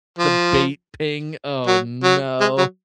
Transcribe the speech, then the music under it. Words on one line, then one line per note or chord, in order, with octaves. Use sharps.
The bait ping, oh no.
F3
F#3
F#3
G#3
F#3